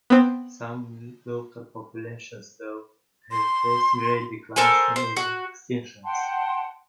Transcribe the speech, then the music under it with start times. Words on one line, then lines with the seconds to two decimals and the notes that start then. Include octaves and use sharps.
Some local populations, though, have faced great declines and even extinctions.
0.10 B3 C4
3.31 C6
4.56 A4 A#4 C5 G#5
4.96 C5
5.17 F#4
6.04 F#5 G5 A5 C6